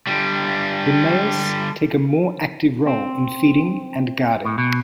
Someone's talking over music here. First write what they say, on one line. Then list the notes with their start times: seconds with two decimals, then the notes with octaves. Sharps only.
The males take a more active role in feeding and guarding.
0.07 D3 G3
2.86 C4
4.45 A2
4.58 B2